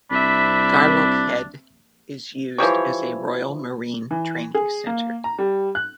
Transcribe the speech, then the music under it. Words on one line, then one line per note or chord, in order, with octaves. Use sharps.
Garelochhead is used as a Royal Marine training centre.
C2 C4 D4 E5 B5
E3 F3 G3 C#5
E3
G#4
A#3
A#5
G3
F#6